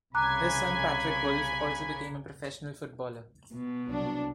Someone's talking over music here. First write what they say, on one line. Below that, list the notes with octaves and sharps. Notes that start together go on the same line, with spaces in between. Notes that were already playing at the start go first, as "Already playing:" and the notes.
His son Patrick Wolf also became a professional footballer.
C2 C#3 G#5 A#5 B5 D6 F#6
B2
C2 F#3 D4